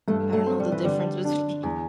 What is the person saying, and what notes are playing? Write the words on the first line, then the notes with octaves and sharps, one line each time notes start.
I don't know the difference between
G2 A3
A3
C4
G3
E3
D3 G3
D4
E2